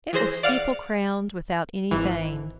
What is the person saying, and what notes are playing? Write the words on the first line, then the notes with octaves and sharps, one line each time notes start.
It was steeple-crowned, without any vane.
E3 G#4 C5 A#6
D5 F5 F#5 F6 D7
G#1 E3